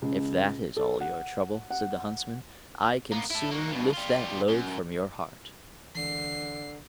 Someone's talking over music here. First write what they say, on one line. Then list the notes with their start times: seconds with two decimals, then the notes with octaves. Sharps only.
'If that is all your trouble,' said the Huntsman, 'I can soon lift that load from your heart.'
0.02 C#2
0.77 A4
1.01 F#5
1.70 F#5
3.12 A#3 B3
3.30 E4 A4
3.51 A#3 F#4
3.70 G2 B2
3.93 G3 F4
4.49 F#2
5.95 C#2 D3 E3 C7